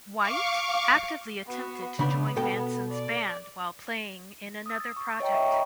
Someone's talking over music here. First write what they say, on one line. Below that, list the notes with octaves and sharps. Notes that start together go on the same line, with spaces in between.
White actively attempted to join Manson's band while playing in another project.
F5 C#6 D6
B3 F#4
C#3 B3 D4 B5
B2 A4 G5
D5
D#6 E6
A6
C#6
C#5 D#5 G5 A#5
D#5 E5 G5 C#6
A#5 B5